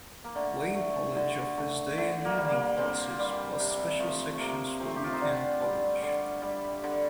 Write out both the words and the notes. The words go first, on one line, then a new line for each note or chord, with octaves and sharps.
Wayne College offers day and evening classes, plus special sections for Weekend College.
A#3
D3 A3
A3
D3
A3
D3 A3
A#3
G3
A#3
D3 C4
G3
C3
F3 A3
A3
C3 A#3
F3 A3 C4
G4
F4
D#4
D3 D4
G3
D3
G3
D3